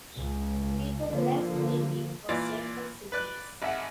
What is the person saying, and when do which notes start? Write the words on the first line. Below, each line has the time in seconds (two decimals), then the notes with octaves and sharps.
People left Delhi for safer cities.
0.18 C#2
1.11 D3 F3 A#3
2.29 A#2 E3 F4 D5
3.12 B4 D5 F#6
3.62 G#1 E5 F#5